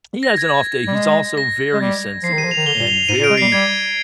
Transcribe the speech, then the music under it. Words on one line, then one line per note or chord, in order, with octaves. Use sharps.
He has an off day, he's also very sensitive and very
A#6
G#6
G3
G#3
A#6
G#3
G3
F3 C7
D#3 D#7
F3
F7
D#3
D3 G7
A#2
F7
G#2 D#7
A#2
D7
G#3
C7
G3
G3 G#6